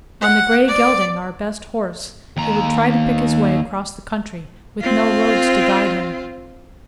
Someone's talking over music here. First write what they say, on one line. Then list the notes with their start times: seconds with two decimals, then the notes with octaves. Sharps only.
On the gray gelding, our best horse, he would try to pick his way across the country with no roads to guide him.
0.21 F#5
0.68 D5
2.37 D#2 A#5
4.81 C4 F4